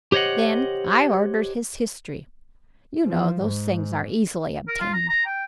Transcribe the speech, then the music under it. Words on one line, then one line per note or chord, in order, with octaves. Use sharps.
Then I ordered his history--you know those things are easily obtained.
G4 C5 C#5 D#5 F#5
F3
G#2
A#4
F4
A#5
A#5
G5